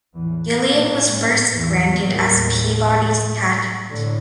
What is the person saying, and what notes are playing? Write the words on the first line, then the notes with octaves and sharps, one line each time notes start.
Gilead was first granted as Peabody's Patent.
E2 A2 E3
A#2 A#3
G#2 G#3
E2 E3
D#2 A2 D#3
A2 D3